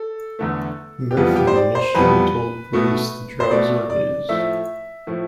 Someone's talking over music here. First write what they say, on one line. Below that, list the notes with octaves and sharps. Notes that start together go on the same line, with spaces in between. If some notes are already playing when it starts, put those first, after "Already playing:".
Murphy initially told police the drugs were his.
Already playing: A4
E2 D3 A3
G4
F2 E3 G3 B3 F4
G4
C5
D5
C5
F2 E3 G3 B3 B4
B2 A3
C5
B2 A3 D5
D5
A2 F3 A3 E5
A2 F3 A3